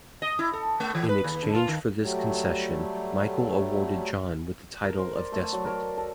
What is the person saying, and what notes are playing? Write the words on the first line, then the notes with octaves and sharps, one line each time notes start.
In exchange for this concession, Michael awarded John with the title of Despot.
D#5
E4
A4
A3
E3
B4
D#2
D3
F4
D#3
F#3 G3 A3
A#4
C5
D5
A3
F#3
A#4
A4